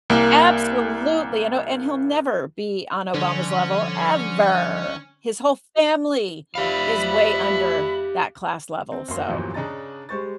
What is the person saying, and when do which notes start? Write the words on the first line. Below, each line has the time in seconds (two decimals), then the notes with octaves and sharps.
Absolutely. I know. And he'll never be on Obama's level ever. His whole family is way under that class level. So,
0.10 C2 A#3
3.14 D3 F3 G3 C#4
6.55 F3 G3 G4 E5 F5 B5
8.92 C4
9.08 F#2 A#3 C6
9.29 E2 G2 A#2 F3 F#3
9.54 C#3 D4 D#5 A#5 A6
10.09 G3 G#3 C5 C#6 A6